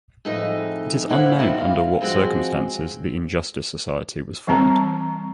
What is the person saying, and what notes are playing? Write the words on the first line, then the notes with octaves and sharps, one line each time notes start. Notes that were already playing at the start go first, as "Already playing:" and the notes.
It is unknown under what circumstances the Injustice Society was formed.
F2 A2 D#4 G#4 D#5
A2 A#3 E4 C5 C#5 F#5
A#2 G3 D#4 E4 F#4
D#5 F5
F3 G#3 C4 F#4 G#4
E3 G3 C4 A5 A#5